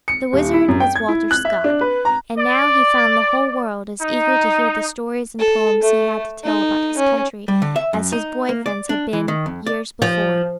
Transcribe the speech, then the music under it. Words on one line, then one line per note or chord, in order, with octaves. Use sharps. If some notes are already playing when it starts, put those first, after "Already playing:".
The Wizard was Walter Scott, and now he found the whole world as eager to hear the stories and poems he had to tell about his country as his boy friends had been years before.
C#7
D#1
E4
F#2
G5
G#6
E4
F#6
E5
D4
B4
A#5
D5
D#4
A4
A3
D#4
C#4
G3
D3
E5
F#2
D#4
A#3
D5
D4
E3
D#3
F2
D5
F3